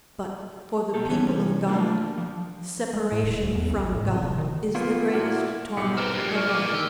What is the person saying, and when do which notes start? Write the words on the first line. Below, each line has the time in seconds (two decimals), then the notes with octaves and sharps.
But for the people of God separation from God is the greatest torment of all.
0.94 B1 A#3 G4 A4
1.08 C3 D#3 E3 G3 C#4
1.68 F#3 A3 A#3 D4 F4
2.18 F3
2.93 G#3
3.12 A2
3.24 D#1
3.43 D2
3.55 E2
3.69 C#2
3.83 A1
3.94 A2
4.08 C3
4.20 D#1
4.38 D#3
4.75 A#3 B3 F4
5.14 A#2 A#3 E4 F#4
5.77 B1 G#2 D6 C#7
5.97 C4 A#4 B4 G5 F6
6.14 G2 A#2 G4
6.35 D5 C#6 F6
6.48 A#2 D6
6.73 D#3 G4 E6